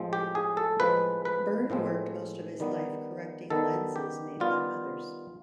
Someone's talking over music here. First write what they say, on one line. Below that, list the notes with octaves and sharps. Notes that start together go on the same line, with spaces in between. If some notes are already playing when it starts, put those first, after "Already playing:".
Byrne worked most of his life correcting lenses made by others.
Already playing: A2 F3 G#3 C4
G4
G#4
A4
A2 F3 G#3 C4 B4
B4
A2 F3 G#3 C4
D#3 G3 B3
D#3 G3 B3 A4
G4
D#3 G3 B3 F4